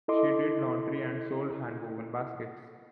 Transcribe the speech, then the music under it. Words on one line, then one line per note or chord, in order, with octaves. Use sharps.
She did laundry and sold handwoven baskets.
E4 A4 D#5 C6 D6